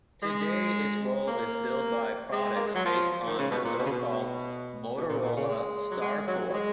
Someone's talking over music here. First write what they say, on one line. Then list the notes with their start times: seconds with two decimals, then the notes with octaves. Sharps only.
Today its role is filled by products based on the so-called Motorola StarCore.
0.23 G#3
1.28 A#3
2.32 G#3
2.55 A#3
2.66 G#3
2.75 F#3
2.85 F3
3.11 F3
3.27 D#3
3.38 C#3
3.51 B2
3.65 A#2
3.78 B2
3.85 C#3
3.91 B2
4.96 B2
5.09 A#2
5.22 A#2
5.36 C#3
5.49 G#3
5.91 F#3
6.01 G#3
6.27 F#3
6.49 F#3
6.53 G#3